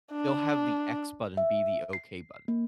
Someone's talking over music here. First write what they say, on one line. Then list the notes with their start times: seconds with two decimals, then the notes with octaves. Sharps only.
they'll have the x button be the okay button,
0.12 D4
1.37 E5
1.93 C7
2.48 A#3